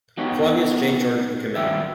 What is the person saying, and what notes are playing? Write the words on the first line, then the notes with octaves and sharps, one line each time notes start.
Flavius J. George in command.
F#3 B3 D#4 G4 C#5
D#2 B2 F#3 G3 G4 E5